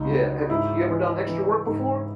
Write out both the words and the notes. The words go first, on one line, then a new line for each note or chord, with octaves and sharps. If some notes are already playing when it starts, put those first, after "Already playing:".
Yeah, have you you ever done extra work before?
Already playing: C#2 F#3 D#4
F#3
G#2 E4
E3
E3
G#2